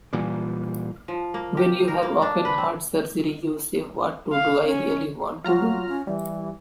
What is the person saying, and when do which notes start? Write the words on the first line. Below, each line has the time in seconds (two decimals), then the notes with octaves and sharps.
When you have open-heart surgery, you say, what do I really want to do?
0.13 A#2 E3 G3
1.08 F3
1.34 A#3
1.57 G4
1.88 A#4
2.03 A#3
2.22 D4
2.45 B4
2.58 C4
4.32 F5
4.66 C#4
5.44 F#3 F4 A#5 F6
5.89 C#4
6.07 E3 G3